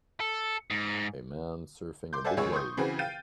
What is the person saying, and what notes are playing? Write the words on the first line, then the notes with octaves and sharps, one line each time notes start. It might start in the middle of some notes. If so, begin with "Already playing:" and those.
A man surfing a big wave.
A4
G#2
C6 D6 G6
A4 C5 D5 E5 F#5 G#5
G#1 C#2 G#3 G#4 C#5 E6
C6 C#6 D#6 G6
C#3 E3 C4 F#4 G#4 B4
F5 G5 G6 A6 D#7